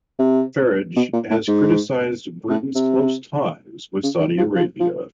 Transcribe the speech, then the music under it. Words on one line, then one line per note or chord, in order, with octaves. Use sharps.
Farage has criticised Britain's close ties with Saudi Arabia.
C3
B2
A#2
A2
G#2
A2
C3
C#3
D#3
F3
F3
F3